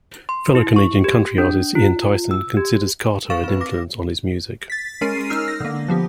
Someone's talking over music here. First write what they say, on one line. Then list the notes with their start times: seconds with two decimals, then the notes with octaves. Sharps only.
Fellow Canadian country artist Ian Tyson considers Carter an influence on his music.
0.29 C6
0.55 E4
0.76 C#6
1.04 G4
1.38 D4
1.75 F4
2.31 E6
2.57 G4
3.30 F5 C#6 A6 E7
3.44 C4 B4
3.61 D6 A#6
4.70 A6 B6
5.01 G#3 C#4 A#4 C7 D#7
5.30 D#4 E6 F6
5.44 F6 A#6
5.60 D3 A#3
5.88 F3 B3 G4